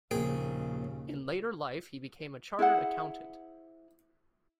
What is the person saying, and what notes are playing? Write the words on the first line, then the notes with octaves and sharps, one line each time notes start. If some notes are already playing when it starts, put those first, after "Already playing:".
In later life he became a Chartered Accountant.
A#1 D#2 A#2 C#3 G#4 A#4 G5
E4 G#4 C5 F#5